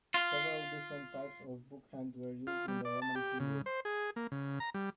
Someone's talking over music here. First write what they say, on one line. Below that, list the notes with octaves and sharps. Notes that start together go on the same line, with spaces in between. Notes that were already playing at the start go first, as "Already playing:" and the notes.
Several different types of book-hand were used in the Roman period.
F4
F4
G3
D5
A5
G4
C#3
C5
G#4
A#3
C#3
A#5
G3